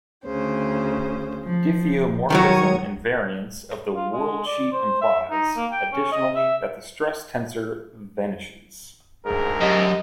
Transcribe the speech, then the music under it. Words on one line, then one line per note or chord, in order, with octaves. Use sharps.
Diffeomorphism invariance of the worldsheet implies additionally that the stress tensor vanishes.
D2 C#3 C5
F3
D#3 E3 F#3 C#5 C#6 D#6
F4
G#3
D5
C5
E5
D#4
A#3
G5
C#4
D#5
E5
D2 G#2 G#4 A#4
F#2 G4 D#5